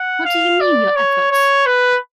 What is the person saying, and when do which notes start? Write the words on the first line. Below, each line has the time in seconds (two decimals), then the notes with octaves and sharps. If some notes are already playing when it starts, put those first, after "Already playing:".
What do you mean, your efforts?
Already playing: F#5
0.26 F5
0.61 D5
0.96 C#5
1.31 C#5
1.66 B4